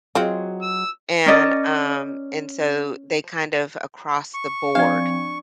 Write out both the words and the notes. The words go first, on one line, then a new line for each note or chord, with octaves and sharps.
And, um, and so they kind of, across the board,
F#3 C4 F4 F#4 G#4 D#5
E6
C#4 A#4 D5 D#5
C#6
F3 C4 D4 D5 F5